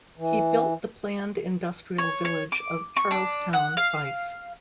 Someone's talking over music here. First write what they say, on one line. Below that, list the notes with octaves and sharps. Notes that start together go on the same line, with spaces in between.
He built the planned industrial village of Charlestown, Fife.
E3
C#5
C#5
D6
C#6
D4
F#5
F5